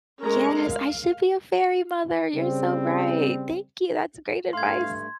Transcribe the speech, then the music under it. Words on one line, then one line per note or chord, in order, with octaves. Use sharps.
Yes, I should be a fairy mother, you're so right. Thank you, that's great advice.
G#3 A3 C#4 A#4 A#5
F5
C#3 G3 C4
G2 A3 F5 C6 G#6